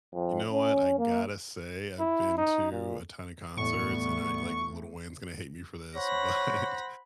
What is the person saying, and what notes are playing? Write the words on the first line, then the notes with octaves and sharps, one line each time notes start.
You know what, I gotta say, I've been to a ton of concerts, and I like, Little Wayne's gonna hate me for this, but
F2
C#4
A#3
E4
D#4
A#2
E2 A2 G3 A3 B3 C#6
C5 C#5 F#5 B5 A#6